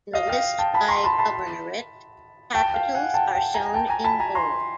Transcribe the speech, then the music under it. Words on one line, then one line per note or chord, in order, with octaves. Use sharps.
In the list by governorate capitals are shown in bold.
D#5 F5
F5 G5
G5 A5
A5 B5
A#5 C6
A5 B5
A5 B5
G5 A5
F5 G5
F#5 G#5
G5 A5
G5 A5
G#5 A#5
A#5
G5 A5
G#5 A#5
A5 B5
G#5 A#5
A#5 C6